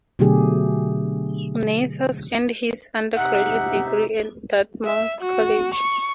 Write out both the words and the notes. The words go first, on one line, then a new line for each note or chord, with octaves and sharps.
Nasser earned his undergraduate degree at Dartmouth College.
B2 D3 F#3 A3 G4 G#4
C3 D#4 E5 F#5
E5
F#4
C#6